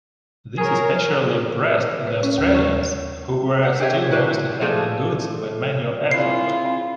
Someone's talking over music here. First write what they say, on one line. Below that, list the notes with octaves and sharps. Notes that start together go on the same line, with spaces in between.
This especially impressed the Australians who were still mostly handling goods by manual effort.
G#4 A#4 C#5
B4
C#4
D#2
C#6
D5 F#5
G4 G#4 C5 C#5 D#5 E5
E4 F#4 B4 C5 D5
F3 A3 G#4 A4 D5
C4 E4 F4 G#4 C7